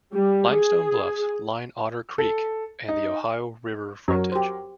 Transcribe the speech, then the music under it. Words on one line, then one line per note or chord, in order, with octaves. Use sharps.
Limestone bluffs line Otter Creek and the Ohio River frontage.
G3
G#4
A4
D#4
F#2 F#3 A#4 C#5
G4 C5